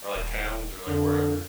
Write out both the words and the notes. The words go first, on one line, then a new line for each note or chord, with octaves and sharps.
or, like, towns or, like, wherever,
D#1
F2 D3